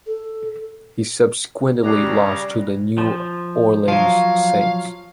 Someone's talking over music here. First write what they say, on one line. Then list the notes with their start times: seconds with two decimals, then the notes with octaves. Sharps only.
He subsequently lost to the New Orleans Saints.
0.06 A4
1.83 C#3 G3 A#5 D6 F#6 C7
2.98 F3
3.88 F3 F#3 F5